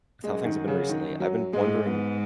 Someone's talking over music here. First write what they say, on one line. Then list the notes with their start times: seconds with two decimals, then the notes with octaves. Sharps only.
with how things have been recently, I've been wondering,
0.24 F#2 G#3
0.45 D#3
0.68 C#3
0.89 D#3
1.20 F#3
1.53 G#2 G#3
1.86 B3